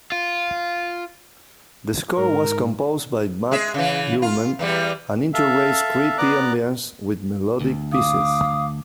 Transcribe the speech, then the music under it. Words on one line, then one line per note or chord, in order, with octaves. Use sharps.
The score was composed by Matt Uelmen and integrates creepy ambience with melodic pieces.
F4
G#2 A#4
G#3 G#4 E5
C#3 E3
F4
E2 E3 G3
A4 E5 F5
B3 D5 A#5 D6 F#6
D2
F5 D6 D#6